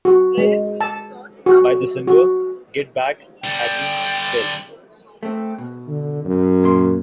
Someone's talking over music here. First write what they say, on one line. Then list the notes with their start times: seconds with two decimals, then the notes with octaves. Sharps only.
By December, "Get Back" had been shelved.
0.05 F#4
0.37 G#3
0.81 A5
1.46 F#4
2.07 F#4
3.44 D3 G3 G5
5.23 A3 C4
5.58 B2
5.88 D3
6.24 F#2
6.63 A#2 A#3 C6